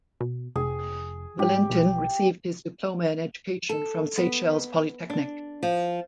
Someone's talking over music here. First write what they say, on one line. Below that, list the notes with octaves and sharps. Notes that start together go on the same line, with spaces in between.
Valentin received his diploma in education from Seychelles Polytechnic.
B2
F1 G#4
G#2 G4
B1
A4
B3
D4
F3